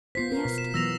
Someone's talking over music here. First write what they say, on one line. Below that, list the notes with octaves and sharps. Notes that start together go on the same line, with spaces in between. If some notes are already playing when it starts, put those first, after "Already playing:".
"Yes, dear."
B3 F4 C5 B6 C7
A#4
B2
E7
E3 F#3 B3 E6 A#6 F7